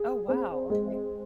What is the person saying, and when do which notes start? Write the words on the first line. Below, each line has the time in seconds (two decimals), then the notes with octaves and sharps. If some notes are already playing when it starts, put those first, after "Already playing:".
Oh, wow, okay.
Already playing: G#4
0.28 C4
0.70 G#3